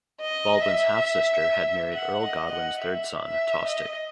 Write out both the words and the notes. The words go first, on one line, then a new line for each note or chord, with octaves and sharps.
Baldwin's half-sister had married Earl Godwin's third son, Tostig.
D#5
E5
F#5
D#5
F#5
E5
E5
D#5